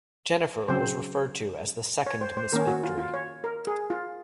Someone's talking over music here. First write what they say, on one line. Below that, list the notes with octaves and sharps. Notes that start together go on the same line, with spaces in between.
Jennifer was referred to as the second Miss Victory.
C#3 F#3 C4 C5
C#5
C5
C5
D#3 A#3 C#4 A#4
F#4
F4
F4
C#5
A#4
G#4
F4